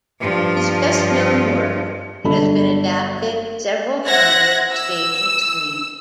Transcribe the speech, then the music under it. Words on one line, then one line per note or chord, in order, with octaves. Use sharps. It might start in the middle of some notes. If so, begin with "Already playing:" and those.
His best-known work, it has been adapted several times for stage and screen.
G2 F3
G1 F#3 D4 A4 B5
C5 E5 F#5 F#6 G#6 A#6
E6